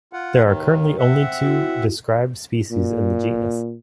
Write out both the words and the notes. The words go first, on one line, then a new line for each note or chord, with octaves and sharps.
There are currently only two described species in the genus.
F4 F#5
D#2 D#3
C4 E5 F#5
E4 F#4
A#2